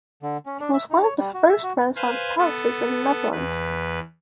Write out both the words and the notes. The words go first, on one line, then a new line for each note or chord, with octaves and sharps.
It was one of the first Renaissance palaces in the Netherlands.
D3
C#4
D4
E5
D#4
C#5
G3
F#4
E5
F#4
B4 C5 F5 G#5
B3 A4
E2 B4